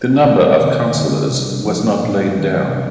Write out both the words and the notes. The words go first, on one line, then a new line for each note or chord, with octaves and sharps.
The number of councillors was not laid down.
D#3 G#3 C4
C3 D#3 A#3
D3 G#3 C4
C3 G3 D4
F3 G#3 D4
A#2 G#3 D4
D#3 G#3 C4
C3 G3 D4